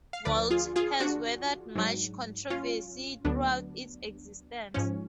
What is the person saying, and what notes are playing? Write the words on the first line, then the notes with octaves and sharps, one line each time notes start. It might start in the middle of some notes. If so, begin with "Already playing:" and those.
"Vault" has weathered much controversy throughout its existence.
F5
D2 D3 F3 B4 D5
F4 G#4
F4 G#4
D4 F#4
G#2 F#3
C#4 F4
D2 D3 F#3 B3 D4
G#2 F3 C#4